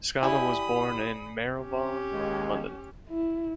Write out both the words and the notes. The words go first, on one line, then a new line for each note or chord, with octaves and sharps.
Schama was born in Marylebone, London.
E4 G4 D5 G#5 B5 D#6
C#4 G4
D#2 G#3
E4